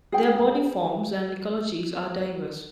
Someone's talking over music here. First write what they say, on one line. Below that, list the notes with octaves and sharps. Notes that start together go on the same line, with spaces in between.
Their body forms and ecologies are diverse.
G#4 G5